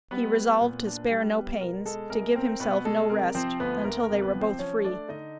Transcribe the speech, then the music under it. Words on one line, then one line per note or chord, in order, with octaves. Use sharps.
He resolved to spare no pains, to give himself no rest until they were both free.
G3 B3 B4
B3
A#2
D4
G3
B3
B2 A#4
G#3 A4
C2 A#4
C4 A#4
B2 B3 B4
G#3 A4
C3 A#4
F3 C4 C5
D2 B3 B4
D2 A#4
A#4
C3
B3 B4
F3
C4 C5
F3 C#4 C#5
A3 D4 D5
D3 D#4 D#5